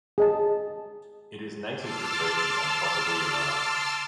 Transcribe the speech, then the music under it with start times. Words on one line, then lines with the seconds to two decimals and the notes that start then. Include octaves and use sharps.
It is native to Turkey and possibly Iran.
0.18 G#4 D#5 A5
1.74 A5 C6 D6 E6 F6 A6